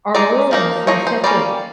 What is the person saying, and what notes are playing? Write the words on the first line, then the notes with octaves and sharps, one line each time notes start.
our world is in such a i
G#3 C4 D#4 D5
F3 A#3 D#4
F3 A#3 D#4 C#5
C5
G3 A#3 C#4 D5